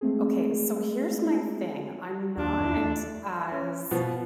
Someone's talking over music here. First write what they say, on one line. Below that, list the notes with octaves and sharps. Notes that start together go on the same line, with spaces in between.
Okay. So here's my thing, I'm not as
G#3 A3 C4 G#4
D#2 D4
E2
A3
C#4
B2 F3 B3